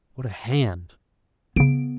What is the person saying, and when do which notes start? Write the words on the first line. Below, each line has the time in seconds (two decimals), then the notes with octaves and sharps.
What a hand!
1.56 C#3 B3 D7